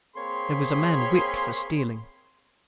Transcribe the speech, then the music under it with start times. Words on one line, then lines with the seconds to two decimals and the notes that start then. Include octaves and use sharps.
Their was a man Whiped for Stealing.
0.16 A#3 C4 G#4 C#5 B5 C6